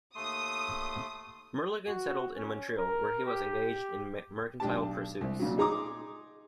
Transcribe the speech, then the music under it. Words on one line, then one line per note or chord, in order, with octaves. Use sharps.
Murlagan settled in Montreal where he was engaged in mercantile pursuits.
D#2 A3 C6 D#6
F#4
C#4
A#4
G4
B1 D4 G4 A5
C2
A#2 C#3 F#3
D#4 G#4 A#5 C6 D6 D#6